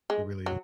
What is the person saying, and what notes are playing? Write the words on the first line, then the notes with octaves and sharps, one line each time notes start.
It really is.
G#3
F#3